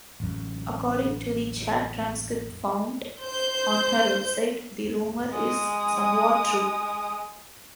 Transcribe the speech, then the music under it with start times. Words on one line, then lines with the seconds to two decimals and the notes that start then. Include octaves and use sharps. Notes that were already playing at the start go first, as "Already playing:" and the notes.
According to the chat transcript found on her website, the rumor is "somewhat true".
0.20 A1 F#2
3.21 C5 G6
5.30 G#3 D#6